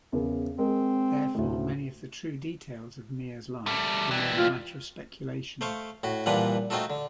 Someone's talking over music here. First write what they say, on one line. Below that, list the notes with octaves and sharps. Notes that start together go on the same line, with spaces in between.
Therefore, many of the 'true details' of Mir's life remain a matter of speculation.
E2 C#3 A#4
G#3 C4 A#4
D2 A2
G3 A3
E3 G3
F4
A3 C5 F5 C#6
A2 F#4
G2 A#2 E3 F3 D4 F#5
A3 C4 D#4 F4 F#4 A4
D3